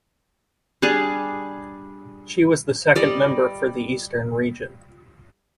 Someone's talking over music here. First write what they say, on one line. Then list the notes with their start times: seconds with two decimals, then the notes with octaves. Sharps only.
She was the Second Member for the Eastern Region.
0.82 G3 D4 G#4
2.95 G3 D5 D#5